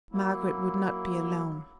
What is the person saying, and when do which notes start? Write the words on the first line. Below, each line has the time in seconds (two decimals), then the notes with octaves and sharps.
Margaret would not be alone.
0.12 F#3 A#3 E4